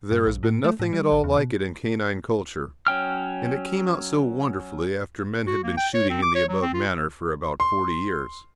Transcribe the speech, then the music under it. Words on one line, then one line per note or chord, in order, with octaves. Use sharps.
There has been nothing at all like it in canine culture, and it came out so wonderfully after men had been shooting in the above manner for about forty years.
G2
A#1
A2
A3
A2
G3
A1
E2
B2
F#3 C#4 G5 F6
F#4
A#3
G5
C#5
C4
D6
C#5
F#3
C4
F4
C6